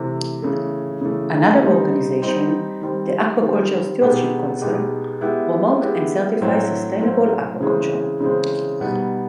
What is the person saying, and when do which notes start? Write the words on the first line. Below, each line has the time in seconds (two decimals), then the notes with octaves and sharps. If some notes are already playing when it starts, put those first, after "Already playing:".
Another organisation, the Aquaculture Stewardship Council, promote and certifies sustainable aquaculture.
Already playing: C3 E3 A3
0.42 C#3 E3 A3
1.01 C#3 E3 A3
1.61 G3 C4 D#4
2.22 G3 C4 D#4
2.82 D#3 G3 C4
3.41 D#3 G3 C4
4.02 B2 G#3 B3 D#4 G4
4.61 B2 G#3 B3 D#4 G4
5.21 G#3 B3 E4 G4
5.81 G#3 B3 E4 G4
6.41 A2 F#3 A3 C4
7.00 A2 F#3 A3 C4
7.61 C#3 E3 G#3 C4
8.21 C#3 E3 G#3 C4
8.80 B2 G3 B3 D#4